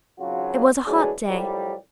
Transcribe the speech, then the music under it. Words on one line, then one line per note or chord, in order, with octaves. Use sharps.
It was a hot day.
G#1 C#3 F#3 F4 F#4
E3 F#3 G#3 A3 D4 G#4
C2 F2 A2 F#3 G3